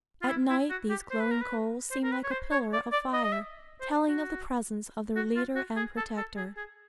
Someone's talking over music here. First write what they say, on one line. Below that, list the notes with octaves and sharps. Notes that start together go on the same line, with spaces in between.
At night these glowing coals seem like a pillar of fire, telling of the presence of their leader and protector.
F4
E4
E4
F#4
G4
C5
B4
A#4
B4
C5
A#4
B4
C#5
C5
C#5
D5
D5
D#5
D#5
E5
C5
F#4
F#4
F4
F#4
G#4
A4
A4
G#4
G#4